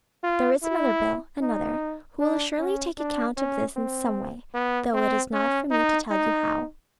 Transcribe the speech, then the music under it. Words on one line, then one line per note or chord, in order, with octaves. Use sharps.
There is another, Bill, another, who will surely take account of this in some way, though it is not for me to tell you how.
F4
E4
D#4
D4
C#4
D4
C#4
C4
B3
C4
C#4
D#4
D#4